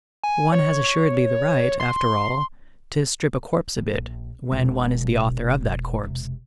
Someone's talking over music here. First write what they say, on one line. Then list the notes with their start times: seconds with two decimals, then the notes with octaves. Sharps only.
One has assuredly the right, after all, to strip a corpse a bit when one is the author of that corpse.
0.23 G#5
0.52 C#5
1.80 C6
3.78 E3
3.94 A#1
4.52 E1 B2
6.04 E1 C3